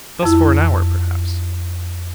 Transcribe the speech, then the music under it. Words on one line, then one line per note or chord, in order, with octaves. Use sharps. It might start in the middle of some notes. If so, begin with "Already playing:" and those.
Thus for an hour, perhaps.
F2 E4